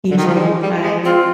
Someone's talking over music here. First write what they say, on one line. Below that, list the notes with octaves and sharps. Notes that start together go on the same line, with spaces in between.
You, too. Bye.
D3
D#3
F3
G3
G#3
G3
G#3
C4 F4